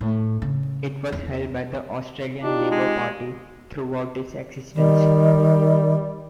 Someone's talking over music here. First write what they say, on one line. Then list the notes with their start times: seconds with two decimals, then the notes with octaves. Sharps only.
It was held by the Australian Labor Party throughout its existence.
0.01 A2
0.42 C#3
1.12 E2
2.43 D4 D#4 F4 G4
2.71 G#3
4.75 D#3 G3